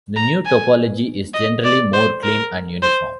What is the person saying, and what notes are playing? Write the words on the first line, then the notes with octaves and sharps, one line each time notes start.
The new topology is generally more clean and uniform.
A#5
G#5
D#5
D5
C5
A#4
C5